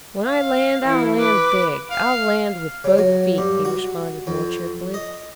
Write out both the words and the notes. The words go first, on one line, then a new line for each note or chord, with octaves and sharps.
"When I land, I'll land big--I'll land with both feet," he responded more cheerfully.
F5
E3 E4
B4 D6
F5
C#3
F#3
G2
F#4
F2
D#5